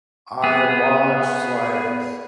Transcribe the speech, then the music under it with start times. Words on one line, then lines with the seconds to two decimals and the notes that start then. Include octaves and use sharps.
I watched like,
0.44 B3 G#4